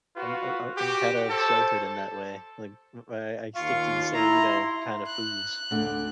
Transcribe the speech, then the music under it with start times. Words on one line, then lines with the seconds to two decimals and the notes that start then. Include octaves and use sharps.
I'm uh I'm I'm kind of sheltered in that way. like, I I I stick to the same, you know, kind of foods.
0.16 F4 F#4 B4
0.77 F#4 G4
1.30 A4 C5 A5
3.55 D#2 F4 F5 C#6
4.14 E4 A#5 C6
5.07 F#6
5.71 D2 D3